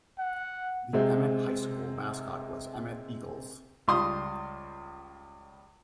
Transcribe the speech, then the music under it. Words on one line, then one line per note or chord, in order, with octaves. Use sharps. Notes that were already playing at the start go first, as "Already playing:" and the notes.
The Emmett High School mascot was Emmett Eagles.
F#5
C3 G#3 C4
C#2 G3 F5 C6 D#6